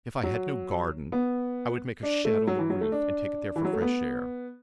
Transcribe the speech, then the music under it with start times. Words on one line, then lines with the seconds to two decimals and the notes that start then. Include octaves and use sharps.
If I had no garden, I would make a shed on the roof, and take it there for fresh air.
0.23 F#3
1.12 B3
2.03 D4
2.25 A3
2.47 F#3
2.59 E3
2.70 F#3
2.81 A3
2.92 D4
3.56 E3
3.65 F#3
3.73 A3
3.82 B3